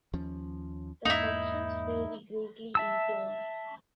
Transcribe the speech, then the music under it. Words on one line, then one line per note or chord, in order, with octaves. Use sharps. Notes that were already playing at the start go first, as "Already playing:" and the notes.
The sections vary greatly in tone.
D#2 F3 C#4
E2 G#2 A#3 D#4 E4
E5 A5 E6